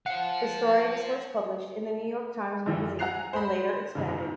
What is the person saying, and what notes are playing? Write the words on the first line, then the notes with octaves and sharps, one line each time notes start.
The story was first published in "The New York Times Magazine" and later expanded.
C5 F5 F#5 C#7
F#2 E3 F3
F#5 G#5 A#5 F#6 C7 F7
C5 B5
B1 G#2 C#3